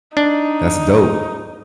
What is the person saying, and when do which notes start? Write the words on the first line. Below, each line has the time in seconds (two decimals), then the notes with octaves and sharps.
That's dope.
0.17 D4 D#4